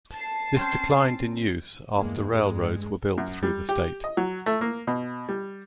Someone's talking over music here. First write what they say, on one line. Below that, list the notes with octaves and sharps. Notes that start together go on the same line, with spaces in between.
This declined in use after railroads were built through the state.
A5 C7
C4 C#4 C5
E2 G2 G#3 A#3
G2 G#3
F#2
G3
G4
D#5
F#3
A3
A#3
B2
G3